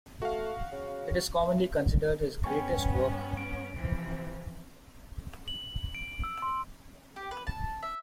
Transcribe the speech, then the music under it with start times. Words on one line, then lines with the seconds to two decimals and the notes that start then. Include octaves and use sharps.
It is commonly considered his greatest work.
0.22 A3 F#4 F5
0.72 C#3
2.44 G2 B3 C#4 G5 G#5 C#6
3.37 D7
3.73 C3 E3 F3
5.48 F#7
5.95 D7
6.24 E6
6.42 C6
7.16 G4
7.31 B4
7.47 A5
7.83 E5